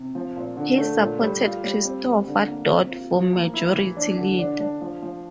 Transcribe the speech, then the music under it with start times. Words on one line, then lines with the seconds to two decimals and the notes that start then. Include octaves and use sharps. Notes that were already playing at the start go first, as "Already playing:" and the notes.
He supported Christopher Dodd for majority leader.
Already playing: C3
0.15 F3
0.36 A#2
0.57 D3
0.78 A3
0.99 A#2
1.21 G3
1.42 F4
1.64 G3
1.85 C4
2.06 C4
2.27 D3
2.47 A#3
2.70 C4
2.90 F4
3.12 F3
3.33 A#3
3.54 E4
3.75 E3
3.97 D4
4.18 D3
4.39 D4
4.60 D4
4.81 F3
5.02 F3